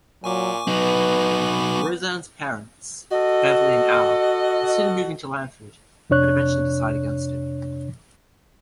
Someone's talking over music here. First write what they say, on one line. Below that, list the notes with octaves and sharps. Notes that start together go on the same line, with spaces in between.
Roseanne's parents, Beverly and Al, consider moving to Lanford, but eventually decide against it.
A#2 F#3 G#5 C#6 D6
F#3 B3 D#4 B4
F#4 A4 D#5
F2 C3 D4 C#5 F#6